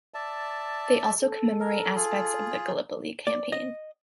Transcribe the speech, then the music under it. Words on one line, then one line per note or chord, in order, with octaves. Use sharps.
They also commemorate aspects of the Gallipoli Campaign.
D5 E5 A5
A4
A#4
F4 G#4
D5
D#5